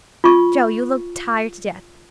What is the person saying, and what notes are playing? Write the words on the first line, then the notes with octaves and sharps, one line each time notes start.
Jo, you look tired to death.
F4 C#6